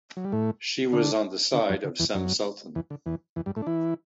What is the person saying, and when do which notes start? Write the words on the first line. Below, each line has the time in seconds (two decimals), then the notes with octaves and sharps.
She was on the side of Cem Sultan.
0.17 F#3
0.25 G3
0.32 A2 A3
0.93 D3 D4
1.54 D3 D4
1.70 F#2 F#3
1.84 D3
2.00 E2 E3
2.15 F#2 F#3
2.75 E2 E3
2.90 D3
3.06 E2 E3
3.36 E2 E3
3.46 G2 G3
3.56 A2 A3
3.62 D4
3.67 E3 E4